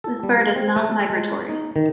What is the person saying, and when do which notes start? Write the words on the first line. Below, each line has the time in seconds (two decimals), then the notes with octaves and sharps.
This bird is not migratory.
0.04 A4
0.23 G3
0.41 F5
0.56 C4
0.76 A3
0.92 A4
1.10 G#3
1.49 D#4
1.76 D#3